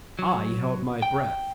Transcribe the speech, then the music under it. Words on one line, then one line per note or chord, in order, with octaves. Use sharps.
I held my breath....
F#3
G5